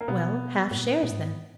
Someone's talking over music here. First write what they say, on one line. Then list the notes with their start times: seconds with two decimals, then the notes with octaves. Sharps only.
"Well, half shares then."
0.01 A#3
0.08 B2 B3
0.71 G#2
0.77 A#2
1.03 A#2
1.10 G#2